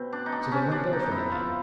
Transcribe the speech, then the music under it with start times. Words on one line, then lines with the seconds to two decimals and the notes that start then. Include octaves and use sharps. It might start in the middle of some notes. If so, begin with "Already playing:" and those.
So they went there for the night.
Already playing: B2 C4
0.13 D4
0.26 D#4
0.32 D4
0.52 C#4
0.72 D4
0.93 D#4
1.06 D#4
1.11 E4
1.32 F4